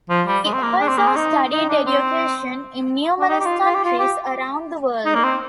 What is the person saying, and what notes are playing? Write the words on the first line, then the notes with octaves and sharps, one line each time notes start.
He also studied education in numerous countries around the world.
F3
G3
G#3
C4
A#3
D4
C4
A#3
C4
D#4
D#4
D4
C4
D4
D#4
G4
F4
F4
G4
F4
G4
D#4
A#3
C4